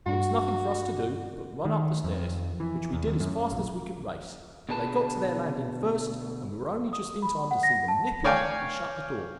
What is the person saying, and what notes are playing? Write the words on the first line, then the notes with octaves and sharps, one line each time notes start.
There was nothing for us to do but run up the stairs, which we did as fast as we could race; but they got to their landing first, and we were only just in time to see them nip in and shut the door.
G2 D4 F#4
D#3
F2
E3
E2
D#2
F#2
A#1
B2 D3 G#4 B4 A5
D#6
B5
F#5
A#6
A5
C#5 D5 F5 G5 G#5